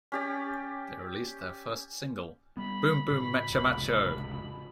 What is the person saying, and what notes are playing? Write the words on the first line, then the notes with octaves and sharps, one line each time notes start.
They released their first single, Boom Boom Meccha Maccho!
C#4 G4 D5
G3 B3 B5
A2 C#3
F1 C#2